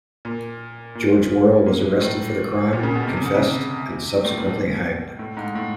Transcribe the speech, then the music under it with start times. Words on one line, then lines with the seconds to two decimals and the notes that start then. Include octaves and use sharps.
George Worrall was arrested for the crime, confessed, and subsequently hanged.
0.25 A#2
0.95 A#2
1.66 A#2
2.01 A2
2.73 A#2
2.83 C#3
2.95 B2
3.07 C3
3.17 C#3
3.26 D3
3.35 C#3
3.43 C3
4.25 A2
4.37 A#2
4.48 B2
5.19 A2
5.37 G#2
5.55 A2